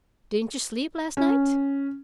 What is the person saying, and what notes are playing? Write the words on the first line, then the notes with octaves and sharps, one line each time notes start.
"Didn't you sleep last night?"
C#4